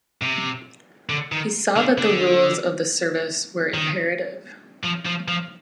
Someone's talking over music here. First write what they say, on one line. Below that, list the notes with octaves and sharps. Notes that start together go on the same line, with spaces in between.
He saw that the rules of the service were imperative.
C3
D3
D#3
D3
D3
D#3
F3
F3
F3